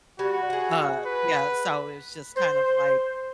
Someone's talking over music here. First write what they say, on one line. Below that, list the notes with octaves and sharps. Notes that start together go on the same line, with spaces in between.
uh, yeah, so, it's just kind of, like,
G3 F#4 G#5
G#4 F#5
B4
C5